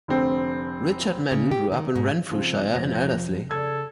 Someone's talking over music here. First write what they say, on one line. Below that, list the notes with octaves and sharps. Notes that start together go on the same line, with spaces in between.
Richard Madden grew up in Renfrewshire in Elderslie.
F1 D3 C4
C#3
G4
D#3
G#2
C#2 F3 C4
F1 F3 C5 A#6
C#3 A4 D5 G#6